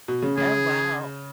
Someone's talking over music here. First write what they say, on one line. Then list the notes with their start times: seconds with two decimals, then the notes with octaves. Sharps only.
Oh, wow.
0.08 B2
0.22 C#3
0.37 C#3 G#4